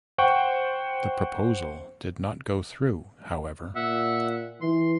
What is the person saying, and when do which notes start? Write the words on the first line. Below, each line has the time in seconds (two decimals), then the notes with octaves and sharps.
The proposal did not go through however.
0.18 C5 F#5 G5 C#6
3.75 A#2 E5 F#5
4.61 E3 C6